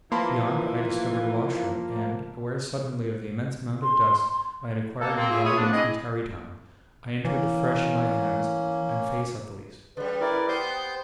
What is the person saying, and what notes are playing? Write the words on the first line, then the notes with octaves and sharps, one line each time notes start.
Beyond, I discovered a washroom, and, aware suddenly of the immense amount of dust I had acquired in the ride in from Tarrytown, I entered to freshen my hands and face at the least.
E3 F3 A#3 A5 B5 C6
C6
A#3 A4
A#3 C4
F4 G#4 E5
E4 F4 G#4 C#5 E5 D#6
F3 A3 B3 D4
G#3 C4 E4 G#4 D#5
E3 A#3 C#4
C#3 G3 B4
E4 A#4 D5
B3 G4 C5 C6 G6